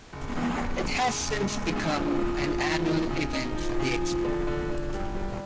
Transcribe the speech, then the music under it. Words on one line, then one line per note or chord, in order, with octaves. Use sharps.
It has since become an annual event for the expo.
F#1
E2
E2
F#1
C#3
F#1
G#3
C#3
F3
C#3
F3
F3
D#4
C#3
D#4
F3
C#3
F3
D3
D3
D3
G3
G3